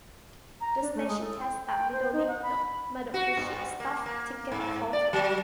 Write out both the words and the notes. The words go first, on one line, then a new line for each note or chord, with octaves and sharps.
The station has a "Midori no Madoguchi" staffed ticket counter.
A#5
D4
A3
G#3
A4
G5
G5
C5
D#4
F#5
B5
F#4
G2
A#3
A#3
G#2
D5
F#3